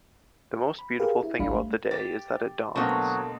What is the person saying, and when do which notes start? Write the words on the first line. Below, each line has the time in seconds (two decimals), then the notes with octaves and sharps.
The most beautiful thing about the day is that it dawns.
0.79 B5
0.99 G4 G#4 A#4 B4 F5
1.23 E4
1.39 G#1 D2 G3 D4 F5 B5
1.54 A3
1.91 G4 A6
2.76 B2 D3 F#3 A3 A#3 C4